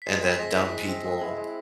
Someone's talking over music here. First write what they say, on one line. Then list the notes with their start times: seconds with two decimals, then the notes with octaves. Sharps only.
and then dumb people
0.02 B6
0.06 G#3 C7
0.22 C4 B6
0.39 G#3 A#6
0.55 E4 B6
0.71 G#3
0.88 C4
1.04 G#3
1.21 E4
1.37 G#3